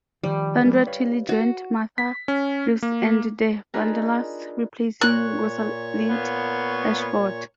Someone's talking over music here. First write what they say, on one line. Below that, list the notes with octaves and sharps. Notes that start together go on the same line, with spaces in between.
Sandra Tilley joined Martha Reeves and the Vandellas, replacing Rosalind Ashford.
D#3 F3 G3
F3 G#3 A#3
B4 C#5 F5
F#4
B6
C#4
A#3
D4 D#4 F4 G#4 A#4 B4
A#2 C#5 C#6 F#6
A#3 B3